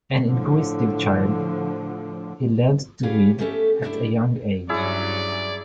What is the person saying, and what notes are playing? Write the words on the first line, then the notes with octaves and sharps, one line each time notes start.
An inquisitive child, he learned to read at a young age.
A2 D3 F3
G3 B3 C#4 G4 G#4 F5
A3 B3 C#4 G4 A4
F#3 G3 A3 D4 E4
G2 F#3 C#4 E4 G#4 D5